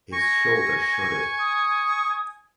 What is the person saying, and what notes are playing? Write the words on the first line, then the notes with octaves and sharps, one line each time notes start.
His shoulder shuddered.
G#5 C#6 A#6
D#6